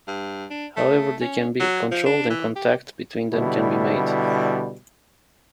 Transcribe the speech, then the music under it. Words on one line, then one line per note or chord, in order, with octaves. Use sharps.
However, they can be controlled, and contact between them can be made.
G2
D4
A3
C#4
F#3
F3
D4
E3
G4
B2 D3 G3 E4